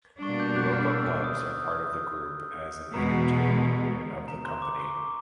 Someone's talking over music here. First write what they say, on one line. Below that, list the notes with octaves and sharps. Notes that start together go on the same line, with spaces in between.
Europa Pubs are part of the group as an entertainment unit of the company.
B2 G3 A#3 D4 C#6
G6
F#6
F6
E6
D#6
D#6
E2 B2 G#3 A#5
A#5
C6
D6
C#6
D6